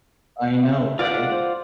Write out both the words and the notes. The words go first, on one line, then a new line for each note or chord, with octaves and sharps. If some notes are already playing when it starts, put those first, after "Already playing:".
I know, right?
E5
G#3 F4 D5 F#5
C5